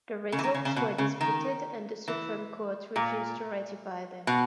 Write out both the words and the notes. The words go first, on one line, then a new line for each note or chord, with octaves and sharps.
The results were disputed and the Supreme Court refused to ratify them.
C#3
E3
D#3
C#3
C#3
B2
C#3
D#3
E3
A#2
B2